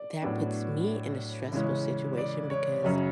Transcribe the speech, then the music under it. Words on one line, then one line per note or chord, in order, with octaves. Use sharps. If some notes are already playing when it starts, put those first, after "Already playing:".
that puts me in a stressful situation, because
Already playing: D5
A2 F#3 B3 D4
C#3 E3 G#3 C#4
D5
C#5
F#2 C#3 F#3 C#4